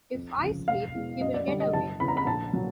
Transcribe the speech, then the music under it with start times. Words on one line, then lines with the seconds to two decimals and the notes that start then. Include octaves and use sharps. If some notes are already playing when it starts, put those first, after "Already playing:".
If I sleep — he will get away.
0.14 F2
0.42 C#3 F3
0.67 E1 F5
0.94 E2 B2 G#3
1.20 F#2 D#5
1.34 D5
1.47 D3 G3 D5
1.60 D#5
1.73 F#1 A5
2.00 E2 C#3 B5
2.08 A#5
2.17 B5
2.26 A#1 A5
2.53 A#2 F#3